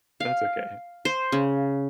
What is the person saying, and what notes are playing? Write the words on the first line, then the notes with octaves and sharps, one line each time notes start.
That's okay.
F5
C5
C#3